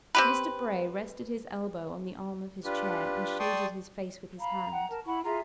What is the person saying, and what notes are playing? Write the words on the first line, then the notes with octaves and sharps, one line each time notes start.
Mr Bray rested his elbow on the arm of his chair, and shaded his face with his hand.
C4 G4 B4
D4 F4 G4 B4
D5 G5 A5 C6 C#6 D#6
F5 A#5 B5
F#5 G5
A#4 A5
E4 F#5 B5 C#6
F4 G#4 E5 A#5